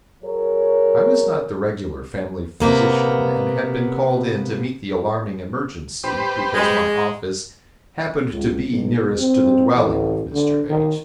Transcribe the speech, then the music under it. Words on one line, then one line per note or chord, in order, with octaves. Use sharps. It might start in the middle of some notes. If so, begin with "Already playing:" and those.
I was not the regular family physician, and had been called in to meet the alarming emergency, because my office happened to be nearest to the dwelling of Mr. H--.
F#3 G#4 A#4 C#5
C3 A#3 B3
G4 B4 C5
G#3
C#2
B1
C4
A1
D3
D#3